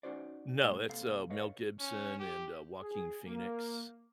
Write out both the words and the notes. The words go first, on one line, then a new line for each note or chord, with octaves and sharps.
No, that's, uh, Mel Gibson and, uh, Joaquin Phoenix.
C#4 D#4 F#4 C5 D5
A#2 G#3
C3 A#3 A4 F5
A4 B4 C#5 D#5 F5
C#4
G4
G#4
A#3